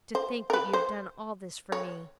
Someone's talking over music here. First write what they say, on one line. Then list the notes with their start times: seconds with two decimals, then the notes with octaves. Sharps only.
"To think that you have done all this for me."
0.15 C5
0.50 A#4
0.53 B4
0.73 C5
1.72 C#5